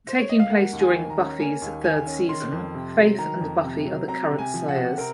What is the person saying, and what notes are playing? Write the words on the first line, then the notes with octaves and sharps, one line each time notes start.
Taking place during "Buffy"'s third season, Faith and Buffy are the current Slayers.
C5
C#5
D#5
F5
A#3 F#5
D#2
G#5
D#3
A#5
C#4
A#3 G#5
D#2
D#3 G#5
C#4
D#3 C6
F2
C3
F#3
D#3 A#5
F2
C3
F#3
C4 A#5
C3
G#5
F3
F#5
C3
C4 A#4